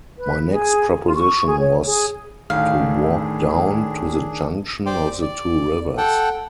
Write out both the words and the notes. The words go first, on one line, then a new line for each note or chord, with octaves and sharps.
My next proposition was to walk down to the junction of the two rivers.
B4
G#4
F4
C#6
G#4
C#5
G#4
D2 A2 D#3 D4 G#4 F5
G4 C5 D5 G5 C6 D6
D5
A4 F#5 G5